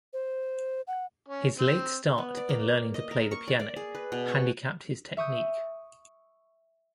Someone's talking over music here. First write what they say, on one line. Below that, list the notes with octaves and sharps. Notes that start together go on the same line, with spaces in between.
His late start in learning to play the piano handicapped his technique.
C5
F#5
C#4
C4
B3
D5
A#3
D#5
A#4
C#6
D5
D5
G#4
B4
B2
C#6
E5 C#6 D#6 G6